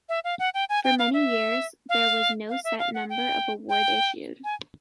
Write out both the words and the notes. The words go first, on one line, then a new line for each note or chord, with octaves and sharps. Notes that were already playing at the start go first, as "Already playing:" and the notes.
For many years, there was no set number of awards issued.
E5
F5
F#5
G5
G#5
G5
F5
E5
F5
F5
E5
F5
F#5
G5
G5
G#5